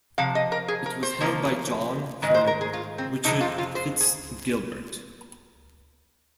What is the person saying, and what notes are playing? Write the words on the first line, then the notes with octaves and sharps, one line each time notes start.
It was held by John from Richard Fitz Gilbert.
C3 F3 F5
D#5
A#4
G#4
A#4
C5
C3 F3 A#3
G#2 D#3 G#3 D#5
C5
A#4
G#4
F4
C4
F2 C3 G#3 C4 D#4
F4
F4
C5
G#4